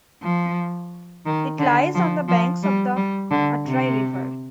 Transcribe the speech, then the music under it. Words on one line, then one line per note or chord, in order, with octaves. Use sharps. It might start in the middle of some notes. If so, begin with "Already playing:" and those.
It lies on the banks of the Atrai River.
F3
D#3
D3
F3
F3
G3
G3
D3
C3